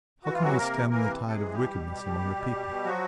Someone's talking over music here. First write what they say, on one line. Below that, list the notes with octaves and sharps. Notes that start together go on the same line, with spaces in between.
How can we stem the tide of wickedness among the people?
E3 F#4
F4
C3 F#3 F#4
C3 A#3 A#4
E3
E3 A#3 A#4
C3
C3 A4
G#3 G#4
E3
B2 G3 G4
B2
B2
B2
B2
B2
B2
B2
F3 F#3 F#4